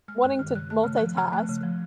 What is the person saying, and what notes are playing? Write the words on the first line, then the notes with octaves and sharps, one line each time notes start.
wanting to multitask,
G#3 F6
G2 F#6
D#3 F6
C#3 F#6
A3 F#6
C#3 F6
F#6
F3
C#3 F6
A3 F#6
C#3
F3